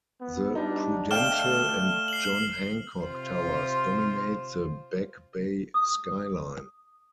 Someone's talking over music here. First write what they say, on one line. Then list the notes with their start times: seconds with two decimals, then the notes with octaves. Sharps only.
The Prudential and John Hancock towers dominate the Back Bay skyline.
0.21 B3
0.55 G3 D4 D#4
1.11 A3 D5 F5 G5 F6 E7 G7
2.08 C7 F#7
3.03 C3 F4 C5
5.74 D#6